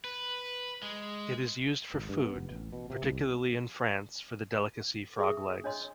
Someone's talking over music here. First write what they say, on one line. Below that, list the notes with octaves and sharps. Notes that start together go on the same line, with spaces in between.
It is used for food, particularly in France for the delicacy frog legs.
B4
G#3
G#1
G2
B3
F1
A1
B2
C3
C2
G#4 E5 D#6
D4 C#5 D#5 C6